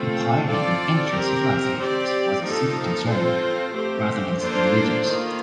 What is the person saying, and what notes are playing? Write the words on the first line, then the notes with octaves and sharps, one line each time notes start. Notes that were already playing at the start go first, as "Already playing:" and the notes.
Impiety in ancient civilizations was a civic concern, rather than religious.
Already playing: A3 C4 F4 A4
C4 F4 A4 D5
C4 G4 A#4
C4 G4 D5
F3 A#3 D#4 A4
C4 F4 A4 C5
A3 C4 G4 C5
A#3 D4 F4 A4 C5
D#3 A#3 F4